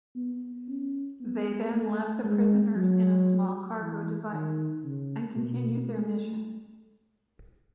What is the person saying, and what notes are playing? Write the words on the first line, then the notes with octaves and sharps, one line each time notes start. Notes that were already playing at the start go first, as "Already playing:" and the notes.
They then left the prisoners in a small cargo device and continued their mission.
B3
C#4
B3
A3
G#3
F#3
E3
D#3
C#3
B2
A3